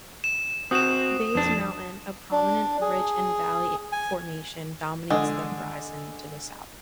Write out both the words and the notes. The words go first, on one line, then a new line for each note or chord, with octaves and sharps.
Bays Mountain, a prominent Ridge-and-Valley formation, dominates the horizon to the south.
E7
C4 F#4 D#6 E7
F2 D4
D4
G#4
G#5
D3 G#3